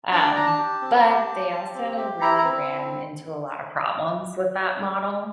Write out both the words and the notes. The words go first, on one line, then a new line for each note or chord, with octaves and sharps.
um, but they also really ran into a lot of problems with that model.
D4 D5
D4 A#5
A5
G4
C4
G4
G4
G4
C4
G4
E4 A#5
A#5
C4